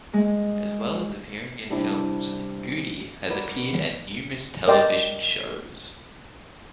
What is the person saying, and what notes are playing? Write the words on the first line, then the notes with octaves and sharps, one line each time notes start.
As well as appearing in films, Goode has appeared in numerous television shows.
G#3
C3 G3 C4 D4 E4
F#4 A#4 B4 D5
A#4 D5 D#5 G5 C6